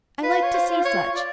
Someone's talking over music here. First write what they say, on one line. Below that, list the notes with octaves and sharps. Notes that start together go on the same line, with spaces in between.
I like to see such.
F4 B4
C#5
C5
C#5
D5